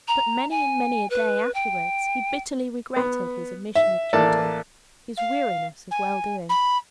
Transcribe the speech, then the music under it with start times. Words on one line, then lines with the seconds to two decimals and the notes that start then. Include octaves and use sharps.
But many and many a day afterwards he bitterly regretted his omission of duty; his weariness of well-doing.
0.08 A#5
0.50 G#5
1.10 B4
1.55 G5
2.96 B3
3.75 E5
4.13 A1 A#3 A4 D5 A5
5.17 F5
5.91 G#5
6.49 B5